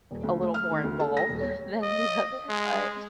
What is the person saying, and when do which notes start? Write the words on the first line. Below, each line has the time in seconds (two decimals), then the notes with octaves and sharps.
a little more involved than the other, but,
0.11 D#1
0.23 D2
0.42 A3
0.54 F6
0.71 D#3
0.84 D2
1.00 A4
1.17 A#6
1.29 D#1
1.41 C#5
1.83 D#5
2.49 G#3